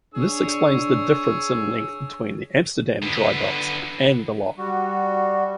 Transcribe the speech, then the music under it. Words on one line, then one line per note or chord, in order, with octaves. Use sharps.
This explains the difference in length between the Amsterdam drydocks and the lock.
D4 G#4 C#5 E6
D3 B3
G3 F#4